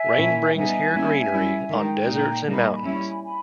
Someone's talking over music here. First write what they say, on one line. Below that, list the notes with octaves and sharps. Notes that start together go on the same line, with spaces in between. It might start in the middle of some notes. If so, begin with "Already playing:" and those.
Rain brings here greenery on deserts and mountains.
Already playing: E5 G#5
A#2 A#3 C#4 E4
G3 B3 D#4 E5 G#5
G3 A#3 C#4 E4
G3 C#4 E4
D#3 G#3 D#4 G5 A#5
A#2 A#3 D#4
G3 A#3 D#4 G#5 B5
G3 C#4 E4
G#5 B5